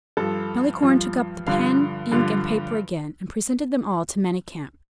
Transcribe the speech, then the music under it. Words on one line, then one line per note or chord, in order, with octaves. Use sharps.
Malicorne took up the pen, ink, and paper again, and presented them all to Manicamp.
G2 F3 A4
G2 F3
G2 D3 F3 F5
G2 D3 F3